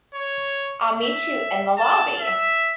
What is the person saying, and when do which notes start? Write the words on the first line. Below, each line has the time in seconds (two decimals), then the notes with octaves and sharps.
I'll meet you in the lobby.
0.14 C#5
0.97 E5
1.78 A5
2.20 E5